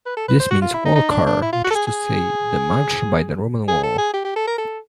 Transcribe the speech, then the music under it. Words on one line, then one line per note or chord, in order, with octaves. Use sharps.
This means 'wall-carr', that is to say, 'the marsh by the Roman wall'.
B4
A4
B4
C5
F#4
F4
E4
D#4
D#4
D4
D4
E4
F4
F#4
A4
G#4
G#4
G#4
A4
G#4
G4
G4
A4
A#4
A4